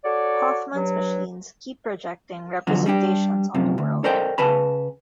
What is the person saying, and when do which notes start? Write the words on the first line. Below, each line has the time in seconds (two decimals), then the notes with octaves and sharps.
Hoffman's machines keep "projecting representations on the world".
0.04 F#4 A4 C#5 D5
0.74 G2 F#3
2.67 E2 D3 F3 F#3 F#4
2.86 G3 D4 G4
3.54 F#2 C3 F3
3.78 D2
4.04 A4 A#4 C5 D5 D#5 G5
4.38 C#3 B4 G#5 A5 B5